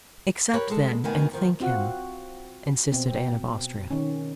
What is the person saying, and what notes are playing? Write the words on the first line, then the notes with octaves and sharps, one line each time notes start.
"Accept, then, and thank him," insisted Anne of Austria.
G4 A#4 B4 C#5
G#3 A4
D2 B2 D#3 G#5
D#3 F3
C4 F4 F#4 F#5
B2 C4
D#3 C#4